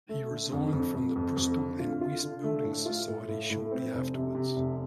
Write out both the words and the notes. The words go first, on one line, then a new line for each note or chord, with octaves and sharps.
He resigned from the Bristol and West building society shortly afterwards.
A3
D3
F2
F2
F2
F2
F2
D3
F4
F4
D3
A3
A2
F4
A2
A2
A2
C4
F1
C3
C3
F1